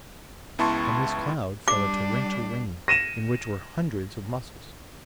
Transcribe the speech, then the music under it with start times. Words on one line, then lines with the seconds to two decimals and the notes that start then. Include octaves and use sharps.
From this cloud, fell a torrential rain, in which were hundreds of mussels.
0.59 C#2 B3 E4 A5 C6 C#6
1.68 G3 D4 D6
2.88 A#6 D#7 E7